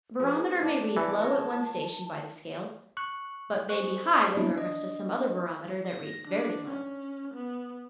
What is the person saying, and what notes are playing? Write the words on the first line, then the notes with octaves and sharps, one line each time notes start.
A barometer may read low at one station by the scale, but may be high with reference to some other barometer that reads very low.
F3 B3 G#4
D4 F4 A5
E3 G3 A4
F4 A#4 C#5
C#6 F#6
G#4 C5 C#6 F#6
F#3 G3 A#3 B3 D4 E4
D4 D#5
A#6
D4
C#4
B3